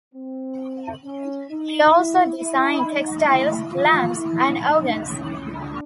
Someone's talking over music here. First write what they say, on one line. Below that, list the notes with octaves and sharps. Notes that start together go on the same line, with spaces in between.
He also designed textiles, lamps and organs.
C4
C#4
D#4
E4
E4
D#4
E4
F4
E4
D#4
C#4
D4